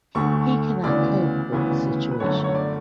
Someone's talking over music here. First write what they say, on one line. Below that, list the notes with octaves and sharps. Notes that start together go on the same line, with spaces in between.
He cannot cope with the situation.'
D2 D3 A3 C#6
D2 C#3 E3 B3 D5
D2 C#3 E3 B3
B4
G1 F#2 D3 A3 C#5
C#5
D5